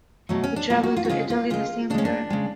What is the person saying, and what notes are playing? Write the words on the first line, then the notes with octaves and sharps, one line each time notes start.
He traveled to Italy the same year.
B2 F#3 A3
C#4
D4
B2 F#3 A3 F4
F#4
F4
F#4
C#3 G#3 F4
F4
C#3 G#3 F4
C#3 G#3 C#4 D4
D4
C#3 G#3